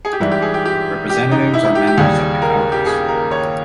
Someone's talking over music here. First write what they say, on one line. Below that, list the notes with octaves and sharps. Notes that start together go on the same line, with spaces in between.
Representatives are members of the caucus.
G#4
G4
G#2 E3 G3 E4
G4
G#4
G4
G4
G4
D#4
E4
E4
G4
G4
D#2 C#3 G3 G#4
A#4
G4
G#4
A#4
C#5